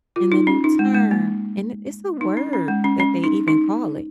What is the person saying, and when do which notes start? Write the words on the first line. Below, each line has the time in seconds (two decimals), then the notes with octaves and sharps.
and the new term, and it it's a word, that they even call it,
0.16 F4
0.32 D#4
0.47 C#4
0.64 D#4
0.79 G#3
0.94 G#3
1.11 A#3
2.21 D#4
2.37 C#4
2.53 C#4
2.68 G#3
2.84 C#4
3.00 C#4
3.24 D#4
3.48 D#4